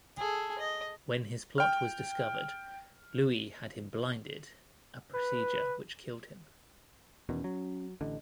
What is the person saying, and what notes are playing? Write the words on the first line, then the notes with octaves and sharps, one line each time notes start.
When his plot was discovered, Louis had him blinded, a procedure which killed him.
G#4 A4
D#5
G5 F6
B4
E2 B2 D#3 C#4
F#3
A1 D3 D#5